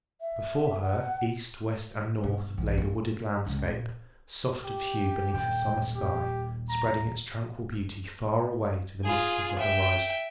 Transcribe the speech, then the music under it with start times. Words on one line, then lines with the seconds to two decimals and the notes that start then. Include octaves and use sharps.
Before her, east, west, and north, lay the wooded landscape, soft of hue beneath the summer sky, spreading its tranquil beauty far away to the mists of the horizon.
0.21 E5
0.82 F#5
2.23 G2 B2
2.57 A#1 E2
2.78 A#3
3.46 C#2 C#3
3.70 A#2
4.64 G4
5.34 D#1 G5
5.95 G4
6.69 A#5
9.04 F4 G#4
9.59 E5 G5